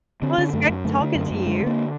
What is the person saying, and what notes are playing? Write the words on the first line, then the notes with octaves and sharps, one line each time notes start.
Well, it's great talking to you.
D3 C4
D3 C#4
F#2 A3
F#2
D3 A3
D3
F#2
F#2
D3 G#3
D3
A#3